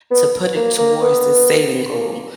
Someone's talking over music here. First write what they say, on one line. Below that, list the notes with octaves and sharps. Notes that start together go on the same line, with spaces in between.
To put it towards the saving goal.
B3
A#3
A#3
B3
A#3